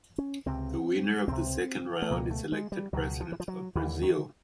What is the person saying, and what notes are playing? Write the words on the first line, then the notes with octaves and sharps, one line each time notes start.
The winner of the second round is elected President of Brazil.
C#4
C#2 C3 C4
C#2 C3 C4
A3
C#2 B2 A#3
A3
G#3
G3
C#2 B2 F#3
F3
E3
F3
F#3
D#2 D3 E3
D#3